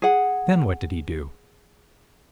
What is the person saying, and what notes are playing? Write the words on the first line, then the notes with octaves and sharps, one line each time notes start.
Then what did he do?
G#4 F#5